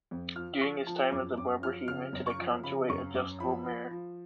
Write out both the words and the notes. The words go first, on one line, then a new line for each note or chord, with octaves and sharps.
During his time as a barber, he invented a counterweight-adjustable mirror.
F2
F3 F6
F3 C#6
F3 A5
F#2 D6
F#2 D6
F3 F6
C#3 F6
F#2
C#6
F3
C#3 B5
F#2 C#6
F#2 D6
F3 B5
F3
F3